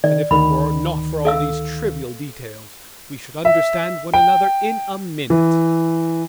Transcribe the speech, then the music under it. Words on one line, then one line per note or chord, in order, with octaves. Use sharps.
And if it were not for all these trivial details, we should understand one another in a minute.
D#3 D5
D2 D#3 B5
A4 F5 E6
E5
G5
E3